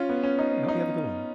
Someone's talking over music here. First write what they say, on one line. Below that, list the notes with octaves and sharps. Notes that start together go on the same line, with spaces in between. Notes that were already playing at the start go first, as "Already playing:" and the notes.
Yeah, hope you have a good one.
Already playing: C#4 F4
B3
C#4
D#4
D#4